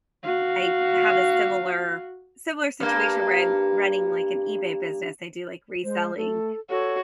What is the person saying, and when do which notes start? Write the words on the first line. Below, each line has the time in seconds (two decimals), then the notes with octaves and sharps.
I have a similar similar situation where I'm running like an eBay business, I do like reselling
0.24 F#4 F5
2.80 G2 A#3
5.84 G#3 C5
6.17 A3 A4
6.70 F#4 A4 C#5